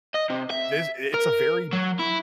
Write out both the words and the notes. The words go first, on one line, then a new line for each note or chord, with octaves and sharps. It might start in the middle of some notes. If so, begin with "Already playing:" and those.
this it's a very
D#5
C3
E5
A#4
F#3
E4